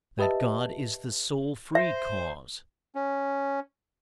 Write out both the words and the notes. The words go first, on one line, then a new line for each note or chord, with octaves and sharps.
That God is the sole free cause.
G4 B4 D#5 E5 A5
C5 E5
C#4